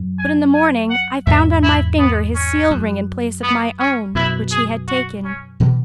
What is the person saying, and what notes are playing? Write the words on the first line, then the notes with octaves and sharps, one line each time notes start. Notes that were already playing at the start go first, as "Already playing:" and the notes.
But in the morning, I found on my finger his seal-ring, in place of my own which he had taken.
Already playing: F#2
G#5
G#5
F#5
E2 G#2 E5
E4
B3
C#4
F#2
B3
C#4
F#2 B2 E4
G#4
F#4
C#4
B2 E3